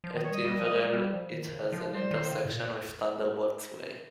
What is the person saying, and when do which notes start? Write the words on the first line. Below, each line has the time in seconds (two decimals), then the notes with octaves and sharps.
At Inverell it has an intersection with Thunderbolts Way.
0.04 F3
0.15 D#3 D#5
0.23 C#5
0.30 G3 D#5
0.44 G3
0.59 F3
0.74 G#3
0.93 G3
1.13 F3
1.33 D#3
1.52 C#3
1.72 F3
1.92 G3 C5
2.11 D#3
2.31 C#3
2.45 G#2
2.50 A#2